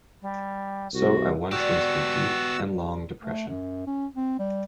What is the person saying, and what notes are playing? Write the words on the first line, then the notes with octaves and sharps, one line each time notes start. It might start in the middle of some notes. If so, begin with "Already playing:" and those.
So I went into a deep and long depression.
G3
C2 F#4
G3 B3 F#4 G4 E6
A3
F#2
C#4
C4
G3